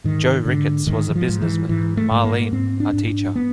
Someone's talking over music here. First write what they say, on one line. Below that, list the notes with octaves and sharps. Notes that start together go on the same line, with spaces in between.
Joe Ricketts was a businessman; Marlene, a teacher.
G#2 D#3
G#2 D3
G#2 D#3
E3
F3
G#2
E3
G#2 E3
A3
G#2
A#3
G#2 C4
D4
G#2
D4
B3